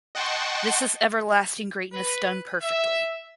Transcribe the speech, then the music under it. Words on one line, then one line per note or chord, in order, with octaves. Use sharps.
This is everlasting greatness done perfectly.
D#5 F#5 G5 A5 C6 C#6
B4
E5